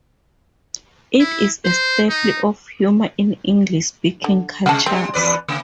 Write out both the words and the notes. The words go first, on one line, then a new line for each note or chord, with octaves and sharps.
It is a staple of humour in English-speaking cultures.
E4
C5
D#4
D3
C3 G#3 F#5 A5
G3 C4
E2 B4 D5
C#3 A#3